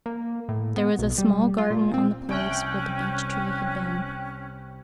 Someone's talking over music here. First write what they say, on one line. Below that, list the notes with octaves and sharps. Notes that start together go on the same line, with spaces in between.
There was a small garden on the place where the beech-tree had been.
A#3
A2
B3
B1
G3
F4
A#2
C4
C2 C#4 G5 F#6